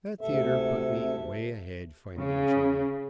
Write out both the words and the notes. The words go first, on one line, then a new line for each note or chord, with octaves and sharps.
That theatre put me way ahead financially.
D2 G#2 C3 A4 E5
C#3